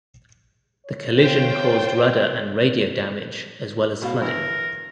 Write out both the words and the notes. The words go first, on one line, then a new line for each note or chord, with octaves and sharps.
The collision caused rudder and radio damage as well as flooding.
C#5
F4 C5 C#5 G5
B2 F5
G2 E3 E4 A#4